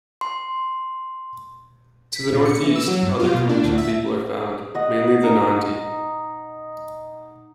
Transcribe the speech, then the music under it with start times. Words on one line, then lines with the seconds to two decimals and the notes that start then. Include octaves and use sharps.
To the north-east, other Kalenjin people are found, mainly the Nandi.
0.21 C6
2.13 B6
2.32 A#2
2.45 C#7
2.63 E3
2.75 E6
2.88 F#3
3.03 G2
3.19 F4
3.35 B2
3.49 D4
3.64 D2
3.78 E5
4.75 D#5 F#5
5.24 D#4